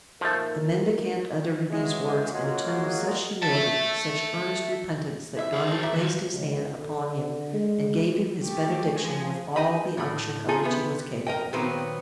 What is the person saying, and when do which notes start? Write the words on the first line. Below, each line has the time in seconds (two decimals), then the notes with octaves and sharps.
The mendicant uttered these words in a tone of such humility, such earnest repentance, that Gondy placed his hand upon him and gave him his benediction with all the unction of which he was capable.
0.21 A#2 F3 A3 D#4 A#4
1.70 A2 E3 F#3 G#3
2.31 F#3 G#3 A#3 F4 F#4 G#4
3.43 E5 A5
5.37 E4 E5
5.53 G#4 A#4
5.67 A3 C4
5.83 A#3 E5
5.96 D#3 F4
6.32 C#2
6.77 D3
7.53 G#3
8.43 A3 G4
8.97 F3 G#4
9.56 G4 D#5 B5
9.98 A2 B5
10.49 D#4 F4 G#4 A4 G#5
10.63 C3 B3
11.27 A#4 D#5 G5
11.53 A#2 D#3 F#3 B3 C4